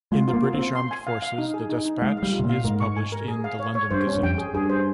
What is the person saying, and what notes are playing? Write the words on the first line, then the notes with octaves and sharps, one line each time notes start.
In the British Armed Forces, the despatch is published in the "London Gazette".
G#3 F4
F4
A#3
F4
C4
F4
C6
G#5
F5
F5
D#4
G#4
D#4
D#4
G#3 F5
F5
G3
F4
C3
A#2
F5
G#2 A#4
C#6
G#5
A#4
G#4
F5
C#5
C#5
G2 C5
C#4
G2
F2 G5
G#4
G2 G#4
C5